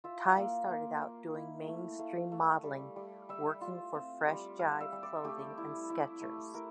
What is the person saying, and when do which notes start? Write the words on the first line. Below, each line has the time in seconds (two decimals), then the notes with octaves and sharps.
Tai started out doing mainstream modeling, working for Fresh Jive clothing and Skechers.
0.04 F4 E5
0.36 A#3 F5
0.69 A#3
1.02 A#3
1.35 E4
1.67 A3
1.99 A3 F5
2.32 A3
2.64 G3
2.96 G3
3.29 G3 E5
3.61 F4
3.95 C4
4.27 G3
4.59 G3 F5
4.80 E5
4.92 G3
5.03 D5
5.24 A3 G4
5.58 E4
5.90 E4
6.21 A3
6.54 E4 A#4